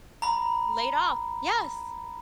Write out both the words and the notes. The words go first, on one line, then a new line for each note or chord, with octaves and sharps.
Laid off. Yes.
A#5 B5